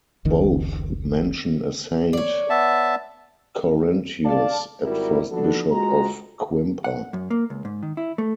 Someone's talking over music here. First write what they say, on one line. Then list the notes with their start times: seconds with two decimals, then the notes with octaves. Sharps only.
Both mention a Saint Chorentius as first Bishop of Quimper.
0.25 F1 C#2 D#3
2.13 C#5 D5
2.50 B3 E5 A5
4.25 D5 F5 A5
4.83 G#1 G3 E4 F#4 A#4
5.31 F3 B3 D4 F#4 A4
5.71 G#3 F4 F#4 A#5
6.84 F#5
7.13 F#2
7.30 A#3
7.50 C#2
7.65 G#2
7.83 D#3
7.97 E4
8.18 A3